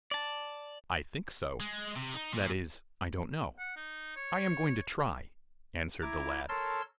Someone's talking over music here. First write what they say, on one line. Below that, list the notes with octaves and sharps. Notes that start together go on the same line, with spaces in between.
"I think so--that is I don't know--I am going to try," answered the lad.
D5 A5
G#3
C3
D#4
A#2
F#5
D#4
C#5
E4 A#5 D6 G#6
A4 A#4 C#5 A5 C6 E6